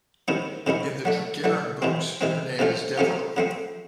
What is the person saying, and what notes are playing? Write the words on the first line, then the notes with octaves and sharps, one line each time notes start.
In the Dragaeran books her name is Devera.
C3 D#3 G#3 C#4 E4
C3 D#3 G#3 C#4 E4
F#3 A3 D4
F#3 A3 D4
C3 E3 G#3 C4
C3 E3 G#3 C4
C3 F3 A3 C#4 F4
C3 F3 A3 C#4 F4
C#3 F3 A3 C4